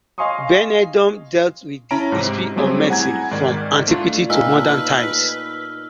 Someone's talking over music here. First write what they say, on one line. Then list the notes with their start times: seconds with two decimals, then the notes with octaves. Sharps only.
Benedum dealt with the history of medicine from antiquity to modern times.
0.18 D#5 F5 G#5 C6 C#6 D#6
1.91 C#4 E4 A5 A#5 D7
2.12 G#2 C3
2.56 F#3 G3 A3 C4 G4 G#4
2.89 E4 F#5 G#5 A#5 G#6
3.31 G#2 D#3 D5
3.88 A3 D4 F4
4.30 A#2 A3 D#4 B4 E6 F6